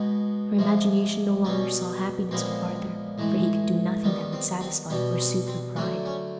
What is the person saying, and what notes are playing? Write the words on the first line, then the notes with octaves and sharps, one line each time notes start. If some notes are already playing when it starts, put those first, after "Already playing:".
Her imagination no longer saw happiness with Arthur, for he could do nothing that would satisfy or soothe her pride.
Already playing: B2 G#3 B3
C3 F3 G#3
B2 G3 B3 C#4
A#2 F3 G#3 B3 C4
A2 E3 G#3
D#3 G3 B3
C4
C4
B2 G3 B3
C4
C4
D3 F#3 A3 C4
C#4